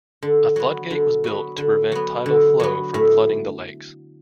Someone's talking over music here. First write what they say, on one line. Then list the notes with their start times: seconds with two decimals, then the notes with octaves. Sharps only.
A floodgate was built to prevent tidal flow from flooding the lakes.
0.23 D3
0.56 F#3 B3
0.90 D3
1.24 F#3 B3
1.58 D3
1.92 F#3 B3
2.26 D3
2.60 F#3 B3
2.94 A2